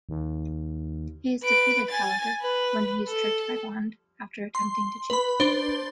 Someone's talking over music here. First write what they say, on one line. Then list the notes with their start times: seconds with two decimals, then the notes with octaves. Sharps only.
He is defeated, however, when he is tricked by Bond after attempting to cheat.
0.09 D#2
1.42 B4 D7
1.89 G#5 A6
2.41 B4
3.08 A4
4.55 C6
5.10 B4 B5
5.40 D4 C5 A6 G7